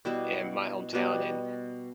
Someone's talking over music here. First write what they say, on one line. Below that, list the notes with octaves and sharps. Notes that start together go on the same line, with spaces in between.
in my hometown, and
B2 G3 B3 E4
B2 G3 B3